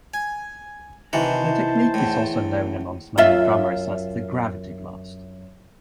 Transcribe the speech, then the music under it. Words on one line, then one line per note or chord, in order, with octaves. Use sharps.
The technique is also known amongst many drummers as the gravity blast.
G#5
C3 D#3 E3 F#4 C5 A5
E2 A2
F#2 F4 E5